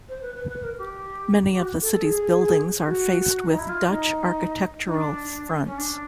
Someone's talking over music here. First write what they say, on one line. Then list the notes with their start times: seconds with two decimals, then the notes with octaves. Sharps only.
Many of the city's buildings are faced with Dutch architectural fronts.
0.08 C5
0.21 B4
0.35 B4
0.50 B4
0.63 A#4
0.78 G4
1.51 G4
1.60 F#4
1.81 A4
1.92 A4
2.02 G#4
2.86 F#4
3.47 D#4
3.58 E4
3.69 F4
3.89 D#4
4.85 D#4
4.94 D4
5.65 C#4
5.77 D4